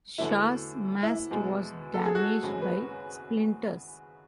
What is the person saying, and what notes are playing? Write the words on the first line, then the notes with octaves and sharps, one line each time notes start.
"Shah"s mast was damaged by splinters.
E2 D3 F#3 A3 E4
E4
E2 B2 G#3
A4
G#4
F#4
G#1 F#2 C#3 G#3
B4